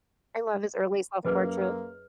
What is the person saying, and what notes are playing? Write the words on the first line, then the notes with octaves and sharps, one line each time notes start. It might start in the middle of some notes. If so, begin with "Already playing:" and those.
I love his early self-portraits.
F#2 A#3 G#4 B4 D#5 F6